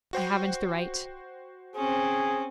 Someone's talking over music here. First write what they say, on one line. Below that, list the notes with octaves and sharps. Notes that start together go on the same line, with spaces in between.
I haven't the right.
F#4 C5 G5
C4 C#4 G#4